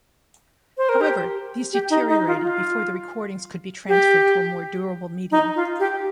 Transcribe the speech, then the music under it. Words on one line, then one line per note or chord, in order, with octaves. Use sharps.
However, these deteriorated before the recordings could be transferred to a more durable medium.
C5
A#4
G4
G4
D#4
D#4
F4
F4
G4
D#4
F4
G4